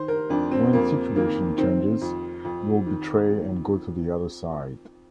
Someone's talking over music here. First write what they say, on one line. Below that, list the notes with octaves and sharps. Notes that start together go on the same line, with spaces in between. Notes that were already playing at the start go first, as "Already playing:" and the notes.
When situation changes, you’ll betray and go to the other side.
Already playing: D#3 C5
A#4
F2 D4
C4
F2 A#3
D#3 A#3
D#3 C4
F2
F2
D#3
D#3